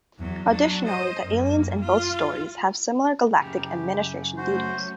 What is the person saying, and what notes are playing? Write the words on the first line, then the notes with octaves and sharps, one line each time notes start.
Additionally, the aliens in both stories have similar galactic administration duties.
E2 F#3
F#3 D4
C5 D#5
F#2 A#3
F4
F#2 C#3 G4
F#3 A3 C#4 F#4 C5